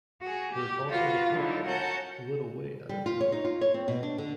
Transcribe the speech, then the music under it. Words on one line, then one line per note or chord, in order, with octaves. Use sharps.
There is also the Horseshoes, a little way out of the village.
F#4 G#4
G4
F4 F#4 B4
D3 F#3 D#4 E4
C#4 F#4 A#4 F#5 A5 G6
G3
F4
C#5
D#4
F4
C#5
C4
B2
D4
D3